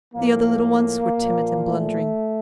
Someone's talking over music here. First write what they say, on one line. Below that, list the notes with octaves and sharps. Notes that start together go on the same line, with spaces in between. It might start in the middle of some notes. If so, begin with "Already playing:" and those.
The other little ones were timid and blundering.
A2 F3 A#3
A#2 F3
A3